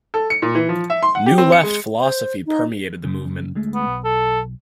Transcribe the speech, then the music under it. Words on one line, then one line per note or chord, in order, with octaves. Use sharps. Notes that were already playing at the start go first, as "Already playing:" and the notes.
New Left philosophy permeated the movement.
A4
C#7
A#2
E3
F3
E5
C6
F#5
G4
C4
C#7
G#3
C5
D#4
F#2 C#3
D2 G#3 A3
B3
B1
A4